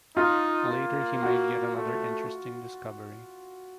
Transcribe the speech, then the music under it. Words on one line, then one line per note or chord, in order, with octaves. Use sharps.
Later he made yet another interesting discovery.
D#4 F4
A#3
F#4
A3